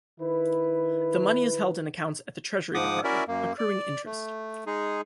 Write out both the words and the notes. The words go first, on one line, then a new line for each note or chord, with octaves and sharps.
The money is held in accounts at the Treasury Department, accruing interest.
D#3 E4 B4
G#2 F3 F#5 D6 D#6
C#4 E4 F#4 A#4 D5 E5
F#2 A#3
D5
A3
G#3 D#4 G#4